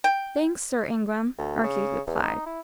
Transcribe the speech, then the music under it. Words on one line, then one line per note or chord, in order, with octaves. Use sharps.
"Thanks, Sir Ingram," Archie replied.
G5
D2
C#3
E2
D#4
E4